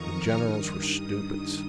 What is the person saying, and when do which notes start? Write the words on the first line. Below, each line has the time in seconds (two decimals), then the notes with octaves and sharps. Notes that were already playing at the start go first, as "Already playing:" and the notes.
The generals were stupids.
Already playing: F2 D#3 A#5 C#6 D#6
0.08 F6
0.38 G2 D#3 D#6
0.67 D#6